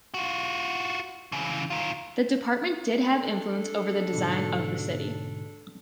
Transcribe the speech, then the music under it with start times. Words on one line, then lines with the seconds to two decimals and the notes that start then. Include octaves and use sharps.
The department did have influence over the design of the city.
0.14 F4 F#4
1.32 C#3 E3
1.70 D#3 F4
3.11 D4 A4
4.13 G#2 B2 D3